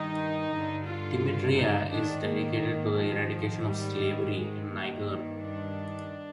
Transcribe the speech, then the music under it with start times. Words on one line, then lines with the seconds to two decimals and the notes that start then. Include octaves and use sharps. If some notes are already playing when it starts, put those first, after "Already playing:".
Timidria is dedicated to the eradication of slavery in Niger.
Already playing: G2 D#3 D#4
0.50 G2 D3
0.84 F4
1.55 D#4
1.89 G#2 D#3 D4
2.25 A#3
2.95 F3
3.29 D#3
3.34 G#2
3.65 G3
4.34 G#3
4.70 G2 D#3 A#3
5.39 D4